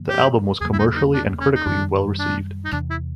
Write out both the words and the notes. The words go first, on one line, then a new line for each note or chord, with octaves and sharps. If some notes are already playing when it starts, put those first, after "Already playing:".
The album was commercially and critically well received.
Already playing: G2 D3 F3 A#3
G4
E2 C#3 F#3 A#3 G#4
E4
D#4
D#4
D4
C#4
D#4
F#2 D#3 G3 D4
D4
D#4
E2 C3 E3 D4
E4